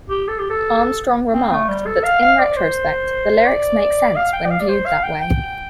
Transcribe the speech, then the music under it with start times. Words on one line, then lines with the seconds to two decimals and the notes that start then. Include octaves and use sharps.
Armstrong remarked that, in retrospect, the lyrics make sense when viewed that way.
0.10 G4
0.28 A4
0.39 G4
0.50 A4
1.34 C4
1.52 A3
1.68 G3
1.86 A4
2.04 F5
2.22 F5
2.39 D5
2.57 C5
3.45 D5
4.16 F5
4.33 G5
4.46 D5
4.51 F5
4.60 D5
4.69 C5
4.86 F5
5.03 G5
5.21 G5